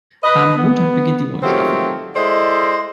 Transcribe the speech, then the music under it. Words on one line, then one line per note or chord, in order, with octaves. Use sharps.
Am Montag beginnt die neue Staffel.
B4 D#5
B3
D#3 F#3 A3 C4 F4 G4
G#3 E4 A4 C5 D5 D#5